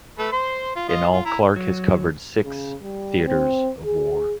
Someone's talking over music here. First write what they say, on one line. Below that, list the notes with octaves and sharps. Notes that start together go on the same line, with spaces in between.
In all Clark has covered six theatres of war.
A3 A4 B4
C5 C6
F4
F4 D#5
F4
E4 A#5
F#3
C#3
G3
C4
G#4